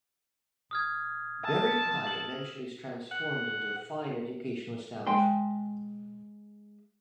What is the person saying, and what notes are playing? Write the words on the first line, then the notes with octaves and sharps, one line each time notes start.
Barry High eventually is transformed into a fine educational establishment.
D#6 F6 G#6
A5 E6
F#7
F#5
G#3 G5 C6